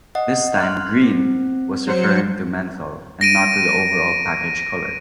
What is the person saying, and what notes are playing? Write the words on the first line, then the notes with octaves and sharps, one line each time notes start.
This time "Green" was referring to menthol and not to the overall package color.
D#5 F#5
C6 F6 F#6
C4
F#3 C5 C#7
A#6 D7 D#7